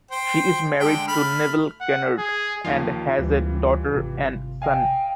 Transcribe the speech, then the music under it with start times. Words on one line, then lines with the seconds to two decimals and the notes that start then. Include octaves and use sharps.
She is married to Neville Kennard and has a daughter and son.
0.11 C5 G5
0.80 D3 G#3 G5
1.07 A3 B5 F6
1.80 F#5
2.18 G#4
2.64 D#2 D#3 F3 F4 C7
3.19 D2 E3 G3
3.92 G#1 C3
4.62 D#5 F5 G5 G#5